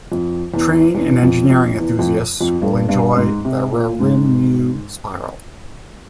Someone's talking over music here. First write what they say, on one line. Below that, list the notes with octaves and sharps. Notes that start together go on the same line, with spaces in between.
Train and engineering enthusiasts will enjoy the Raurimu Spiral.
F2
E2
E2
F2
F2
E2
F2
F2
G2
G2
G#2
C3
A#2
G#2